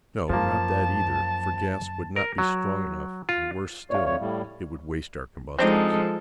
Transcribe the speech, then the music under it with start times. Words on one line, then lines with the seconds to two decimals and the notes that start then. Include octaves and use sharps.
"No, not that either, for gas would not be strong enough; and, worse still, it would waste our combustibles."
0.30 F#2 F3 A#3 A5
2.16 A#4
2.38 F#3
3.29 F4
3.90 C#5 D5 E5 F5
4.06 F2 C#5
4.21 A2 G3
5.59 F3 G#3 C4 D4 D#4 A4